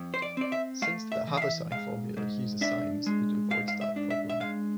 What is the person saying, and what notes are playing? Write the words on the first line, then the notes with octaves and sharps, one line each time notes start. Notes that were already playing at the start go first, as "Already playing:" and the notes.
Since the haversine formula uses sines it avoids that problem.
Already playing: F2
C5
D5
C4 D5
E5
A3 F5
E5
E3
F5
E5
G#2 F5
G#2
D4 E5
G#3
G#2 F5
F5
E5
D4
E5
E5
G#3 F5